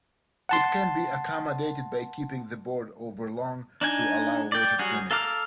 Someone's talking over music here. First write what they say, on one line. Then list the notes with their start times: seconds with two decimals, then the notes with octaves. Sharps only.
It can be accommodated by keeping the board overlong to allow later trimming.
0.49 F#5 A5 C6
3.81 D4 D#4 G#5
4.52 D5 G5
4.79 F#3 G3 C#4 F#4 G#4
5.11 A4 F5 A#5 D6 F6